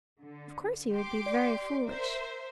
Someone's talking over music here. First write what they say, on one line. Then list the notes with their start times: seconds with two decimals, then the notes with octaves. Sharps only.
Of course he would be very foolish.
0.21 D3
0.92 G4 C6 D6
1.26 D5
1.85 A#4 C5 E5